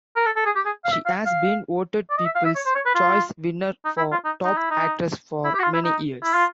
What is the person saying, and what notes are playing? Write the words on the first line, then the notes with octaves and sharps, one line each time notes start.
She has been voted people's choice winner for top actress for many years.
A#4
A4
A4
G#4
G4
G#4
F5
E5
F5
F5
D5
D#5
E5
F5
E5
C#5
C5
C#5
B4
F4
D#4
E4
F4
D#4
D#4
E4
D#4
E4
G4
F#4
F4
E4
D#4
E4
F4